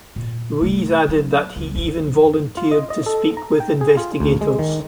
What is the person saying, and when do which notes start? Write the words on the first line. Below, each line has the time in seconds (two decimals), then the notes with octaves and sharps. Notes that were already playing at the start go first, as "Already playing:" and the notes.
Ruiz added that he even volunteered to speak with investigators.
0.16 A#2
0.61 C3 A3
1.09 F#3
1.56 C#2 A#3
1.75 F#2 F3
2.57 F4
2.71 D#5
2.90 D#5
3.06 A4
3.37 A#5
3.60 G5
3.81 G#4
3.97 F4
4.20 D2
4.41 G#3
4.59 D#3